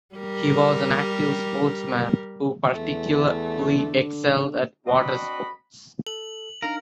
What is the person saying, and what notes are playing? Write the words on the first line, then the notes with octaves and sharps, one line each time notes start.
He was an active sportsman who particularly excelled at water sports.
G3 G4 A#4
E2 A3
D3
C4 D4 F#4 D#5 B5
A4 F#7
D4 D#4 A#4 F5